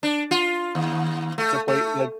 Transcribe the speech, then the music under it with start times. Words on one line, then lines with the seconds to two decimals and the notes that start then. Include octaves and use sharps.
to play, like,
0.03 D4
0.31 F4
0.75 D#2
1.38 A3
1.68 A3